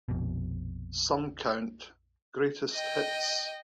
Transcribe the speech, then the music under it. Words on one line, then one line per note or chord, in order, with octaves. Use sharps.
Some count "Greatest Hits".
A#1 F2 B2
D#5 G5